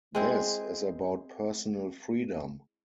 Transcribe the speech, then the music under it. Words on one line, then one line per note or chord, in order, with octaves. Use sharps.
This is about personal freedom.
G#3 C4 E4